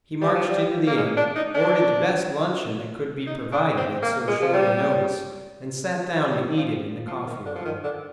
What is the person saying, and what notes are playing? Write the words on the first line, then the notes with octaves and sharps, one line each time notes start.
He marched into the Inn, ordered the best luncheon that could be provided at so short a notice, and sat down to eat it in the coffee-room.
G3
F3
G3
A#3
G#3
D4
D#4
D4
D#4
D4
C4
A#3
G#3
F3
G3
G3
D#3
F3
F3
D#3
D3
F3
D#3
D3